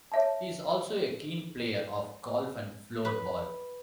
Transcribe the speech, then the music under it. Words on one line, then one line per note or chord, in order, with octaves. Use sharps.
He is also a keen player of golf and floorball.
C#5 E5 A5
B4